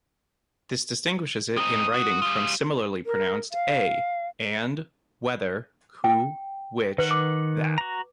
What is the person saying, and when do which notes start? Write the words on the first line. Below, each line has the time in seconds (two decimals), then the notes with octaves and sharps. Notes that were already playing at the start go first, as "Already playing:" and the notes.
This distinguishes it in writing from similarly pronounced "a" "and; whether; who, which, that".
1.57 C4 D#4 D#6
1.94 F#4
2.22 G3 F4
3.06 A#4
3.52 F5
6.04 G5
6.98 D#3 B4 F#5
7.11 D6
7.78 F#4 A#5